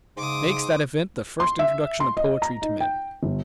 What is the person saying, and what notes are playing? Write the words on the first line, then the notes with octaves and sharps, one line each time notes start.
He makes that event the first introduction of poetry to men.
G#2 C#3 C6 D6 D#6
C6
E5
C6
D#5
A#5
D#4
G5
G1